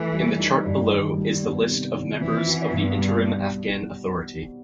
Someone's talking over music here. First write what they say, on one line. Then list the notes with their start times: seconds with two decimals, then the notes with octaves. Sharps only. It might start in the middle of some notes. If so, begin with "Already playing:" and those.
In the chart below is the list of members of the Interim Afghan authority.
Already playing: E3 A3
0.13 G3
0.40 D#4
0.66 G2
0.91 D#3
1.17 G3
1.43 B3
1.69 C3
1.95 D#3
2.20 E3 C4
2.47 F#4
2.71 G2 B2
2.97 G3